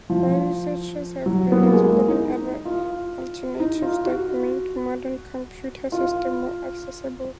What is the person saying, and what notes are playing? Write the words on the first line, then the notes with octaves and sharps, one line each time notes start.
Researchers have been exploring other alternatives that make modern computer systems more accessible.
F3
F#3
B3
A#3
G#3
A#3
D#4
F4
D#4
F4
F#4
F4